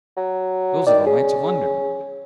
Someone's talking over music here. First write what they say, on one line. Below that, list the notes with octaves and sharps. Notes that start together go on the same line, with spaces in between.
Those are the lights of London.'
F#3
D#3 D5
C#4 G#4